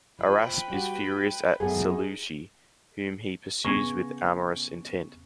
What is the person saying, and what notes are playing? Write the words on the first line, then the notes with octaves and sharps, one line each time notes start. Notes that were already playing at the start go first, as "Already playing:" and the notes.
Araspe is furious at Seleuce, whom he pursues with amorous intent.
F3 B4 G5 B5
G3 F#4
F#2 A3 B3 D#4 G#4
C#3 B3 C#6 G#6 A#6